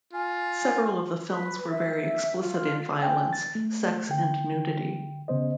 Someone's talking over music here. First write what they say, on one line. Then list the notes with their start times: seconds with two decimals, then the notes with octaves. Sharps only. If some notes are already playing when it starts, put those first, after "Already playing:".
Several of the films were very explicit in violence, sex and nudity.
0.13 F4 G#5
1.23 B4
1.71 E5
2.38 F4
3.02 G5 G#5
3.33 A6
3.55 A3
4.09 D3 G5
5.28 C#3 B3 C5 D#5